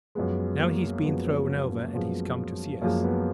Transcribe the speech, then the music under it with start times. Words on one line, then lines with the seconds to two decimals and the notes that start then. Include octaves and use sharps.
Now he's been thrown over and he's come to see us.
0.15 F#2 F3 G#3 B3
0.60 A#3
1.04 F#2 F3 G#3 B3
1.26 C#4
1.49 B3
1.71 A#3
1.93 F#2 F3 G#3 B3
2.82 F#2 F3 G#3 A#3
3.04 B3